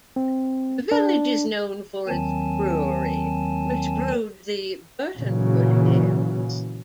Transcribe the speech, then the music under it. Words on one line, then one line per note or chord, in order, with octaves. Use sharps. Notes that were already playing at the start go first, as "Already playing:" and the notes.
The village is known for its brewery, which brewed the Burtonwood ales.
C4
D4
D#2 D#3 F#3 C4 G#5 A5
A#2 C#3 E3 F#3